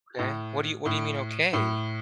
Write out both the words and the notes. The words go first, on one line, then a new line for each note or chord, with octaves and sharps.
Okay, what do you what do you mean, okay?
A2
A2
A2